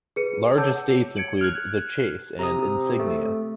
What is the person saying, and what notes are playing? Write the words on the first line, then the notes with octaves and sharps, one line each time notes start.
Large estates include "The Chase" and "Insignia".
G#4 B4 C#7 D#7
C#5 F#5 A5 D6 E6 G6
G#6 C#7 D7 F#7
F6 F#6 G#6
C3 A#5 D#6
A3